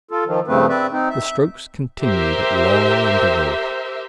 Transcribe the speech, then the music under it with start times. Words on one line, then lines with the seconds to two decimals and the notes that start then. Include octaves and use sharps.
The strokes continued at long intervals.
0.11 F4 A4
0.26 D#3 F3
0.48 G2 C#3 F3 A3 C4 B4
0.69 C4 B4 D5 E5
0.92 C4 D#4
1.10 E5
2.02 G4 A#4 C5 E5